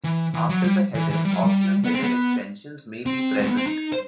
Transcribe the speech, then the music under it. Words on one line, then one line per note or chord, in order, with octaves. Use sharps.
After the header, optional header extensions may be present.
E3
E3
F#3
G3
E3
E3
G3
F#3
G3
B3
C4
B3
C4
A3
B3
C4
D#4
C5